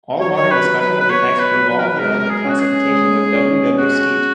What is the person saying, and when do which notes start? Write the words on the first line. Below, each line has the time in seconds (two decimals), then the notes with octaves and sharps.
All modern discussion of the text revolves around the classifications of W. W. Skeat.
0.20 F#3 C#5
0.36 C#5
0.51 B4
0.65 F#3
0.80 B4
1.01 B4
1.09 B3 C#5
1.40 B4
1.55 F#3
1.69 B4
1.79 A#4
1.88 B4
1.99 G#3 A#4
2.19 A#4
2.30 G#4
2.44 C#4
2.49 F#4
2.59 G#4
2.88 G#3
3.34 C#4
3.78 F#4 G#4